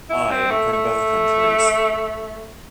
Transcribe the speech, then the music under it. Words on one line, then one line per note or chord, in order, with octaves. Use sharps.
I am from both countries.
E4
C4
A3
A3